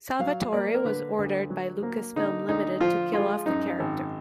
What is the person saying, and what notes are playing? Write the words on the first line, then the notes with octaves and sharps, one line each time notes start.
Salvatore was ordered by Lucasfilm Limited to kill off the character.
F#3 F5
A#3 D5
A#4
D3 B4
D2
F#3
A#3
D3 D#4
D2 D#4
F3 F4
G#3 F4
F#2 D#4
G#1